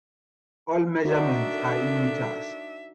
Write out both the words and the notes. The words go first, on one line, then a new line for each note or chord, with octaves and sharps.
All measurements are in metres.
D#3 D4 D#4 F#4 C5 D5 E5
A4